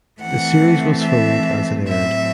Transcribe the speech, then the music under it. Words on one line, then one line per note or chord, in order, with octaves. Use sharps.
The series was filmed as it aired.
E3 A3 C4 F#5
E5
A2 F#3 C4 E5